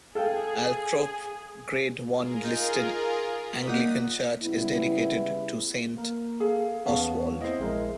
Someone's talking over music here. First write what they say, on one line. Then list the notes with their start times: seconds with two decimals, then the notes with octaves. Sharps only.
Althorpe Grade One listed Anglican church is dedicated to Saint Oswald.
0.15 G#4 A4 F5 G5
2.09 F4 G#4 A#4
2.44 D#4
3.34 D#6 B6
3.67 A#2 D#4 F#5
4.43 C#3 G3 B3 E4
5.97 A#3 A#4
6.40 G#4 A4 F5
6.86 E2 B3 C#4 F5 A5
7.41 C4 E4 C5 D#5
7.59 A#1 G#3 A#4